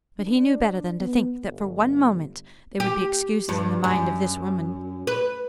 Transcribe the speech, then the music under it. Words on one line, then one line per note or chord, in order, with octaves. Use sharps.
But he knew better than to think that for one moment they would be excuses in the mind of this woman.
D4
B3
G1
G4
G2
F#2
B4